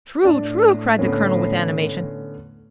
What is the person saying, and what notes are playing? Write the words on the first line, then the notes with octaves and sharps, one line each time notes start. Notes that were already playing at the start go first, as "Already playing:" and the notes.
"True--true," cried the colonel, with animation.
A2 D4
D3 B3 C#4